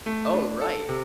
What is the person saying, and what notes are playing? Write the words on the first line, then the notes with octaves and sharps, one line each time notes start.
Oh, right.
A3
D4
A4
C3